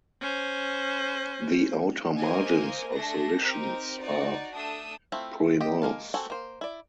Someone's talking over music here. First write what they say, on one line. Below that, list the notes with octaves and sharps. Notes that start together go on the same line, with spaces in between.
The outer margins of the lichens are pruinose.
C#4 C5
A#3 C5 D#5 G#5
A3 D4 G#4 A4 A#6
C4 D#4 G4 A#4
D#4 F#4 D5
A3 D4 D#6 E6
A3 C4 E4 F4
G4 D#5 G5
G#3 A#3 F5 A5
C4 F#4 A4 F#5 G#5
A#3 C5
E4 D5